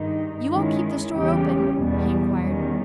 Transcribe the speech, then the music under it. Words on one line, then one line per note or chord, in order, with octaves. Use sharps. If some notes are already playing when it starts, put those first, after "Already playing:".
"You won't keep the store open?" he inquired.
Already playing: G2 D#3 G#3 D#4
D#3 G#3 C#4 E4
E2 C#3 G3 C#4 G4
E2 B2 G3
E2 D#3 G3 C#4